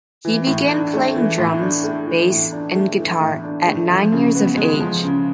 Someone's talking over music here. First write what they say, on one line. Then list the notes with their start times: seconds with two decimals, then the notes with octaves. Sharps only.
He began playing drums, bass and guitar at nine years of age.
0.25 E3
0.47 A2
0.71 D4
0.93 A3
1.16 E3
1.38 A2
1.62 D4
1.84 A3
2.07 E3
2.30 A2
2.52 D4
2.75 A3
2.98 E3
3.21 A2
3.44 D4
3.66 A3
3.90 F3
4.12 C#3
4.34 B3
4.57 G#3
4.80 F3
5.03 C#3